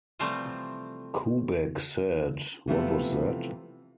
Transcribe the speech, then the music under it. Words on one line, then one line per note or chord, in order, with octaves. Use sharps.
Kubeck said, What was that?
C3 E3 F3 G3 A3 C4
C3 E3 F3 A3 B3